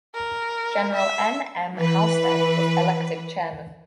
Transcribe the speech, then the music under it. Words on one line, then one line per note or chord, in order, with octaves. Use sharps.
General N. M. Halsted was elected Chairman.
A#4
E5
E3 B4